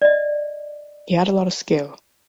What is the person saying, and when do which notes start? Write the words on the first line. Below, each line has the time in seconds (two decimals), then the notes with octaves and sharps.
He had a lot of skill.
0.02 D5 D#5